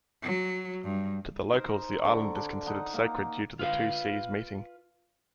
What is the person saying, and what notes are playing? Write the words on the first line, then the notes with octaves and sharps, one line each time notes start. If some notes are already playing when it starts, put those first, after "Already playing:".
To the locals the island is considered sacred due to the two seas meeting.
F#3
G2
D#4 A#4 C5
D3 A#5 C#6
D4
D#4 F#5
A#3
F4 B4 F5